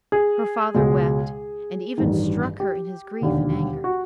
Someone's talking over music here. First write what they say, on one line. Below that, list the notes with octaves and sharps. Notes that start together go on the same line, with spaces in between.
Her father wept, and even struck her in his grief and anger.
G#4
C#2 B2 G#3
A1 G2 D#3
G4
E1 D#2 D3
F#4